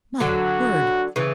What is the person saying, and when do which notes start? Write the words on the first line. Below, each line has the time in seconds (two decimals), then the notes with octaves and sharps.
My word!
0.20 D3 F#3 F#4
1.16 C#3 E3